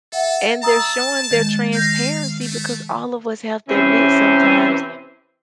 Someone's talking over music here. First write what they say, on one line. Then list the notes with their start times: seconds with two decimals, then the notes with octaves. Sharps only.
and they're showing their transparency, because all of us have to admit sometimes
0.13 A4 E5 F#5
0.63 A5 A#5 D#6 E6
1.31 D#3 G#3
1.73 D#3 F5 G6 A#6
2.41 A3
3.69 C3 E3 C4 C#4